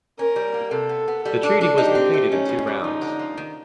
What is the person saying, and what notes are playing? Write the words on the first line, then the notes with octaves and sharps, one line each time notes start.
The Treaty was completed in two rounds.
C#4 A#4
G3
A#3
C3 A4
B3
B3
G3 A4
D4
D4
D#4 G4
C4
A3
C#4 D#4
B2
G3
F3 D#4
D3
F3
D#3